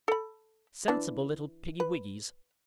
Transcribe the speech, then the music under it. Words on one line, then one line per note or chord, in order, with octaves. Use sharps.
Sensible little piggywiggys.
A4 B5
E3 D4
B4